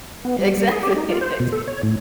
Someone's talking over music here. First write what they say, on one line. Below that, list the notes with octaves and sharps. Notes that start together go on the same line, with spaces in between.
E exactly, ex
B3
G3
G3
G#4
G4
D#4
F4
C5
B2
A4
C#5
A2